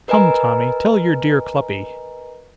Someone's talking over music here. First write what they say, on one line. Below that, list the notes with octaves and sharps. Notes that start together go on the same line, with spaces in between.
Come, Tommy, tell your dear Cluppy.'
A#4 B4 D#5 G#5 A#5